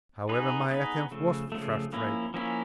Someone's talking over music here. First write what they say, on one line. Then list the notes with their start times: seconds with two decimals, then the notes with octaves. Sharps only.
However, my attempt was frustrated.
0.29 B3 D#4 G#4 B4
0.70 B3 D#4 G#4 B4
1.11 C#3 F3 A3
1.52 C#3 F3 A3
1.93 F3 A#3 C#4 E4
2.34 F3 A#3 C#4 E4